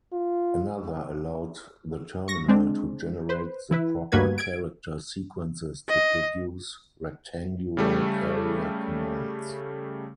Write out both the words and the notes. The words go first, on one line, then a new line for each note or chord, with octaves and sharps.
Another allowed the terminal to generate the proper character sequences to produce rectangular-area commands.
F4
C#6 A#6
G#3 C4 D4
B4 C5
E3 E4 B4
D2 G2 A#3 F#4 B4 G#6
G#6 D7
D#5
C#3 G3 A3